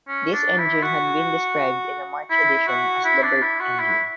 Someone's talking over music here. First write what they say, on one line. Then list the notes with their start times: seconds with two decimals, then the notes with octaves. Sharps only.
This engine had been described in the March edition as the 'Burt' engine.
0.08 C#4
0.33 D4
0.58 E4
0.83 F#4
2.30 E4
2.67 F#4
3.04 E4
3.22 D4
3.42 E4
3.60 F#4
3.79 E4